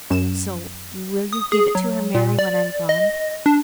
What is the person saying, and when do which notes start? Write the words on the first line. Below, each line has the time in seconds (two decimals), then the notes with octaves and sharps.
So, will you give it to her, Mary, when I'm gone?
0.10 F#2 E7
1.33 D#6
1.52 G#4
1.75 F#3
2.15 A#2
2.39 D5
2.89 D#5
3.46 D4